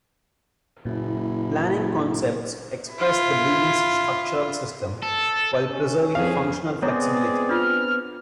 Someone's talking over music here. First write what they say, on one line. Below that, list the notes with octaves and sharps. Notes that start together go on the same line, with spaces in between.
Planning concepts express the building's structural system, while preserving functional flexibility.
F#1 A#2 E4
E4 F4
A4
C#4
F2 G#4 F5
G#3 B3 C4 G#4 C#5 D5 A#5
D4 F4 F6